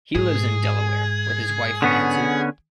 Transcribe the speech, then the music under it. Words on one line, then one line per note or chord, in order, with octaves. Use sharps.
He lives in Delaware with his wife Nancy.
G#2 G#4
D3 B3 C#4